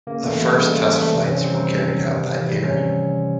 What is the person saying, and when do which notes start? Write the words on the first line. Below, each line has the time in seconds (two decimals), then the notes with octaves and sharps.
The first test flights were carried out that year.
0.07 C#3 A#3
0.24 E3 A3
0.41 G3
0.58 C#3 G#3
0.75 C#3 A3
0.92 E3 A3
1.09 C3 C4
1.26 D#3 C#4
1.44 G3 C4
1.60 C3
1.78 C3
1.95 D#3
2.11 C3
2.29 E3
2.46 G3
2.63 C3 C#4